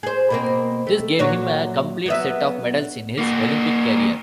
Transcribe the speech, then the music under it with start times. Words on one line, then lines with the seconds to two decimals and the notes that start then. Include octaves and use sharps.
This gave him a complete set of medals in his Olympic career.
0.03 G#4 C5
0.30 B2 A#3 C4
0.87 A3
1.19 A#2 F#3 C#5
2.06 F#3 B3 E5
3.19 A#3 F#4